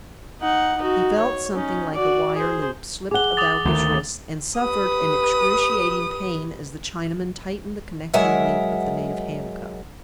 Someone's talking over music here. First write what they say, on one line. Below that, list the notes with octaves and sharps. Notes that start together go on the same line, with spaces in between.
He felt something like a wire loop slipped about his wrists, and suffered an excruciating pain as the Chinaman tightened the connecting link of the native handcuff.
D#4 F#5
D#4 F#4
C#5
C#4 D#4
F#4 D5
G#4 C5
G#4 F#5 D6 G7
D6 D#6 A6
D2 D#3
G4 B4 D#6
F#3 G#3 A#4 E5 F#5